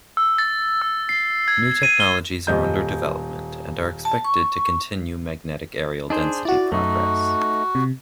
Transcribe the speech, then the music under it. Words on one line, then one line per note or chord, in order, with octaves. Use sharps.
New technologies are under development and are expected to continue magnetic areal density progress.
E6
A6
E6
C7
G#6
D#7
G7
D#1 D#5 G6
A5
C#6
D4 D#4 G#4 C5
E4 F#4 D5
F#2 A3 D#4 F#4
C3